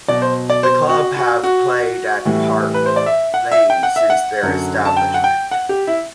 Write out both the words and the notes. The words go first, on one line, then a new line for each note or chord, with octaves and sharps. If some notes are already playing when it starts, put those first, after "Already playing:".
The club have played at Park Lane since their establishment.
B2 F#3 D5
C5
D5
C5
F#4
F#4
F#4
A2 E3 G3
B4
C5
D5
E5
F#5
E5
G5
F#5
E5
F#5
F#2 D3 F#3
A5
G5
F#5
G5
F#5
G4
E4